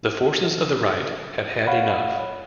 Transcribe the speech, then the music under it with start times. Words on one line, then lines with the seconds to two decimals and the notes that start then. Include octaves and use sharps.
The forces of the right had had enough.
1.67 C#5 F5 F#5 B5